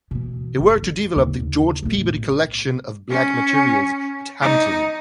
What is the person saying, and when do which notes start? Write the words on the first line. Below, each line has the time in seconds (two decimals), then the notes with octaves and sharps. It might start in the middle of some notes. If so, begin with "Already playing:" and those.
He worked to develop the George Peabody Collection of Black materials at Hampton.
0.11 B2 E3
0.60 F#1
0.83 D3
1.16 D#2 C#3
1.83 B1 A2
3.10 C#4
4.41 D#4